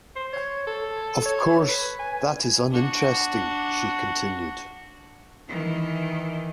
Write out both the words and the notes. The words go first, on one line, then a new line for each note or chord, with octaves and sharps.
Of course, that is uninteresting, she continued.
C5
C#5
A4
C#5
B4
G#5
D4 F#4
D#3 E3